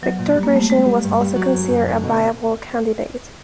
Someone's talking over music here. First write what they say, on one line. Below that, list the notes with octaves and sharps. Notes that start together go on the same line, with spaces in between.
Viktor Grishin was also considered a viable candidate.
F#3 B3
A#2
G3
A#3
G3 A3
G3 G#3
G3
G2
G3
F#3
F#2
F#2
D3
B2